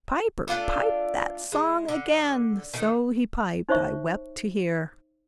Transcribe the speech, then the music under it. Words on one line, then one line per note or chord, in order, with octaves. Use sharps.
"Piper, pipe that song again! So he piped, I wept to hear."
A3 D4 F4 D5
G#3
D3
D#3 A3
D#4 C5 C#5 E5 C#6